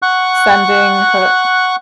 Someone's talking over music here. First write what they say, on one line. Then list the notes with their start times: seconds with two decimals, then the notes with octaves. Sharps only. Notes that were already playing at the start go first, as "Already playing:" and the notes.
sending her
0.02 F#5 C#6 F#6